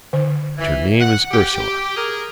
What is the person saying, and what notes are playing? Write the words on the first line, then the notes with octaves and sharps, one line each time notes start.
And her name is Ursula.
D3 C5
E3
F#5
G4
G#4 A#4